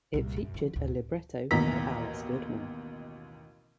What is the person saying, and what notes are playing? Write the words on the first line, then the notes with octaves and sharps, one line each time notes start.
It featured a libretto by Alice Goodman.
C2 A#2
F1 F#2
D3 F3
D2 A2
A1 D#2 B2 A#5 B6